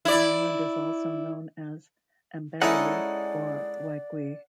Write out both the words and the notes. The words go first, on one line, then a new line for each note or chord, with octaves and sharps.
The island is also known as Amberi, or Waigiu.
E4 D5
G#3 C#4 D#4 E4 A4 D5 F#5